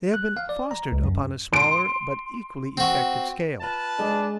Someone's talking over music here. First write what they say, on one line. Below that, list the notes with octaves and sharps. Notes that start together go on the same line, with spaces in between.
They have been fostered upon a smaller but equally effective scale.
F#6
F5
D5
A#5
C#2
F#2
C6 D7
C4 F#4
F4 B4 A5
G#3 D4